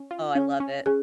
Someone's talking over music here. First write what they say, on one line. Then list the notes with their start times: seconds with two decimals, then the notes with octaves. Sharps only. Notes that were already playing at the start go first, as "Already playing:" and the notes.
Oh, I love it.
Already playing: C#4
0.11 F4
0.35 C#4
0.60 C#4
0.86 C#4 G#4